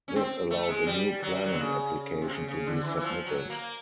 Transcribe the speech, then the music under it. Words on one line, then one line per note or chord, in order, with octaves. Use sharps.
This allowed a new planning application to be submitted.
C#4
C4
A3
G#3
G3
F#3
G3
F#3
D3
C#3
C3
C#3
C#3
D3
E3
E3
F3
F#3
A#3